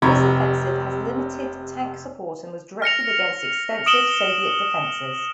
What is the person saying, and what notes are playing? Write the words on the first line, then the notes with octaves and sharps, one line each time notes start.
This offensive had limited tank support and was directed against extensive Soviet defenses.
F1 C3 A#5 B5 C#6 G#6
F6 A#6 C#7 F7
D#6 D7 E7 F#7 G7